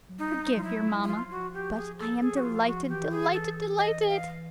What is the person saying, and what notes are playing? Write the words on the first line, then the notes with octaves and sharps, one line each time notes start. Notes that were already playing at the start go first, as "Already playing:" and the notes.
Forgive your mamma; but I am delighted, delighted, delighted!
F#3
G3 D#4
F3 F4
F#3 E4
F#3
E4
F3 F4
F#4
G4
G#4
A4
G#4
F#4
F4
F#4
E3 G4
G#4
A4
D#5
F5